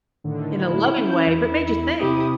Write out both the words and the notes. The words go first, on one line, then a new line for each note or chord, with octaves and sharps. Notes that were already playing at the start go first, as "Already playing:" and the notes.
in a loving way, but made you think.
A2 D3 D#3
E4
C#4 G6
E2
C3 E4 G4 D#6